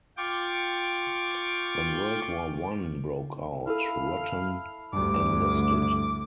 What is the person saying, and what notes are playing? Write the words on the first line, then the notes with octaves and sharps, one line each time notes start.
When World War One broke out, Ruttan enlisted.
F4 G5 C#6 D6
E4 A4 F5
D2 G2 G3 D6